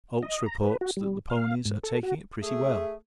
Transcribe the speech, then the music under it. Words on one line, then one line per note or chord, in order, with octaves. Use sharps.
Oates reports that the ponies are taking it pretty well.
D#5
A#5
B4
F#4
G3
F5
G#2
A4
F#4
A3 G#4 E5